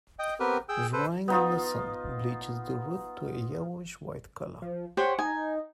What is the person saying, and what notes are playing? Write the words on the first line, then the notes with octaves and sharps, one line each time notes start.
Drying in the sun bleaches the root to a yellowish-white color.
D#5 G5
B3 C4 G4 A#4 B4
G#4 G5 E6
A4 B4 C5
B3 D#4 F4
F3
G4 C5 C#5 F#5
D#4 G#5